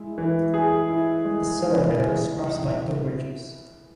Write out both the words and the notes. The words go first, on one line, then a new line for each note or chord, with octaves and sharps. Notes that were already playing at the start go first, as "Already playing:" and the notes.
The Severn River is crossed by two bridges.
Already playing: G#3 E4
E3
G#4
E4
G#3
E3
G#4
E4